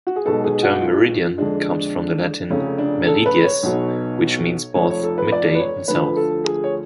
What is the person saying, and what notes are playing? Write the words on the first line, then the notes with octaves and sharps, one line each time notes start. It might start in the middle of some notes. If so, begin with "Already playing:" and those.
The term "meridian" comes from the Latin "meridies", which means both "midday" and "south".
F#4
G#4
B1 B2 G#3 B3 A4
G#4
F#4
F4
F2 D3 G#3 D4
F1 F2 C#3 C#4
D4
A4
B4
C#5
B1 B2 F#3 B3
F1 F2 F3 C#5
C#5
A4
B4
D5
B4
C#5
D2 D3 F3 A3 B4
A4
G#4
C#5